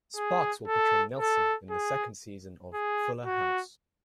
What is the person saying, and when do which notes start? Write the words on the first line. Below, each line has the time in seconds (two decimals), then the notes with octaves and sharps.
Sparks will portray Nelson in the second season of "Fuller House".
0.16 G#4
0.68 A4
1.19 A4
1.71 G#4
2.74 G#4
3.26 F#4